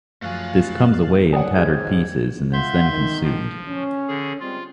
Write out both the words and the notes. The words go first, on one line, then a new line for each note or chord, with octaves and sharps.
This comes away in tattered pieces and is then consumed.
F#2 F3 A3 F5 G#5 F#6 A6
D4 C#5 F#5 G#5 D#6
G#2 G4 G#6
C#3 F4 E5 F#5 C6 G6
D#3
F3
C#4
D3 G#4
G3 G#3 C4 F4